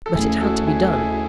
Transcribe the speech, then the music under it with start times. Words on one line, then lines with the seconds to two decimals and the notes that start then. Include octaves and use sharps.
But it had to be done.
0.06 A4
0.14 D#2 D#3 E4 G#4
0.18 A3 C#4
0.41 F#4 A4
0.67 E4 G#4
0.83 A4
0.93 E4 G#4
1.10 E4